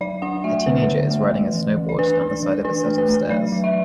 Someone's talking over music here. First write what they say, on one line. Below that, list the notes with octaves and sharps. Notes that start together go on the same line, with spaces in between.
A teenager is riding a snowboard down the side of a set of stairs.
F#3 D5
D4 F#5
A3 E5
D3 B4
D3
A3
E3
E3
E3
D5
D4 B4
D4
E3
D4 B4
A3
B4
A3
F#3 D5
F#3
E5